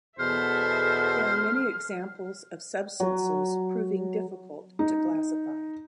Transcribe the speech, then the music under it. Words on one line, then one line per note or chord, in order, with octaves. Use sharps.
There are many examples of substances proving difficult to classify.
E2 B2 G#4 A4 C5 E5 F6
F#3
D#4